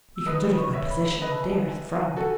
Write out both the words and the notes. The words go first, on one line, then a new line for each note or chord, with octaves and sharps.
You can judge of my position, dearest friend.
E6
B4 D#5 D#6
B5
C#6
C#5 E5
B5
B4 D#5 B5
A5
G#5
A5
G#5
F#4 A4